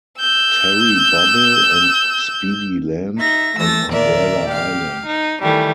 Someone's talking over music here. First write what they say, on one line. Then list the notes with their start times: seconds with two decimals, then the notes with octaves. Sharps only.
Terrybubble and Speedy land on Umbrella Island.
0.20 E6 G6
3.17 D#4 E5 A#6
3.56 E3 A3 E6 A6 A#6
3.91 D#2 A#2 A#4 D5 E5
4.47 G4 F5
5.06 D#4
5.39 D#3 E3 G3 A3